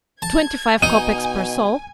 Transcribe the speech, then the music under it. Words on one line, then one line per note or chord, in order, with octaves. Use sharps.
"Twenty-five kopecks per soul."
A5 G#6
B2 D#4 G#5 D#7